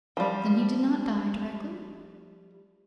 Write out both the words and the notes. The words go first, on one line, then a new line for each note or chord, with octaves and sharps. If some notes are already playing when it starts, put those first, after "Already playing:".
'Then he did not die directly?'
F3 G3